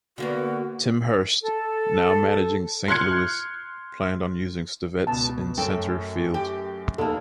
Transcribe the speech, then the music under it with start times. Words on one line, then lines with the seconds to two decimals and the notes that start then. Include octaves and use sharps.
Tim Hurst, now managing Saint Louis, planned on using Stivetts in center field.
0.18 D3 A#3 B3 F#4
1.42 A4
2.88 C6 F6 F#6 G#6 C#7
5.07 C#2 B2 A5
5.58 F#2 A3 C#4 A4 G5
6.34 G4
6.98 F1 D#2 G#3 A#3 A4